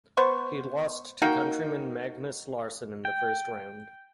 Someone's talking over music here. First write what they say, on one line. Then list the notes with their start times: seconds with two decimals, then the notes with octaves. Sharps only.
He lost to countryman Magnus Larsson in the first round.
0.17 B3 C5 C#6
1.22 A#3 D#4 F#4 G5
3.05 G5